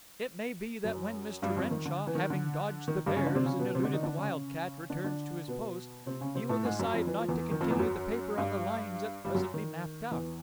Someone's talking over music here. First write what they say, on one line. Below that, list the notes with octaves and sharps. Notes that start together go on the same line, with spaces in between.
It may be that when Mr. Renshaw, having dodged the bears and eluded the wildcat, returns to his post, he will decide not to continue the paper on the lines at present mapped out.
F#2 F#3
G2 G3
F2 F3
D#3
D3
E3
D#3
D3
D#3
G2 G3
C#3 C#4
D3 D4
C3 C4
C#3 C#4
B2 B3
C3 C4
D3 D4
D#3 D#4
D3 D4
C#3 C#4
D3 D4
D3 D4
B2 B3
C3 C4
C#3 C#4
C3 C4
A2 A3
G#2 G#3
F#2 F#3
F2 F3
E3
F3
E2 E3
D#3
F2 F3
E2 E3
F#2 F#3
G2 G3
G2 G3
F#2 F#3
D#3
E2 E3